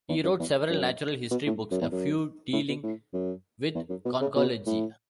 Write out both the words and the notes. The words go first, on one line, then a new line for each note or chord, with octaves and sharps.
He wrote several natural history books, a few dealing with conchology.
E2
F#2
E2
F#2
B2
A2
F#2
E2
F#2
A2
B2
A2
F#2
E2
F#2
B2
C#3
B2
A2